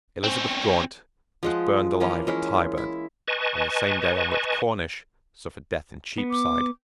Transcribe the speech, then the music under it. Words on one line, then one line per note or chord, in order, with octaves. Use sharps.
Elizabeth Gaunt was burned alive at Tyburn on the same day on which Cornish suffered death in Cheapside.
C4 C#4
F3 G#3 F#5
E3 F3 A#3 C#4
G#3 C#4 E4
E4
B4 D#5 G#5 A5 C#6
B3
D6